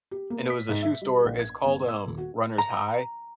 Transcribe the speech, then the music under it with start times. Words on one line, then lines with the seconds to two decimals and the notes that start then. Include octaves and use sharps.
and it was a shoe store, it's called, um, Runner's High,
0.11 G4
0.30 A#3
0.50 B6
0.69 G#2
0.83 E5
1.02 G3
1.25 A#1
1.39 G#6
1.65 G1
1.88 E6
2.06 D#1
2.18 F#4
2.58 A#5